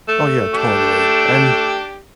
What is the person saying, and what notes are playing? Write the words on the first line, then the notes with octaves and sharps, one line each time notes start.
Oh, yeah, totally. And f
A3
D4 G4